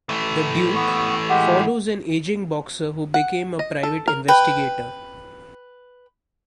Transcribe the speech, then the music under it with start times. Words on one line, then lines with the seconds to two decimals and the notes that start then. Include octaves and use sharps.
"The Duke" follows an aging boxer who became a private investigator.
0.09 E3 A3
0.76 B3 C#6
1.30 G#3 G4 F#5
3.14 F#5
3.59 D#5
3.83 A4
4.08 A#4
4.28 B4 G5